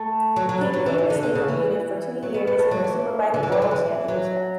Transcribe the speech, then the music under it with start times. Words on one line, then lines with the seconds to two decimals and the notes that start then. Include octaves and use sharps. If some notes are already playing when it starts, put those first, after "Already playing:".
He previously competed for two years in the Superbike World Championship.
Already playing: A3
0.36 F#3
0.49 F#3
0.61 G3
0.73 F#3
0.86 E3
0.98 E3
1.10 D3
1.23 D3
1.35 C#3
1.48 E3
2.23 F#3
2.34 B3
2.47 B3
2.59 A3
2.71 F#3
2.84 E3
3.34 D3
3.43 E3
3.52 F#3
3.62 D3
3.71 E3
4.08 F#3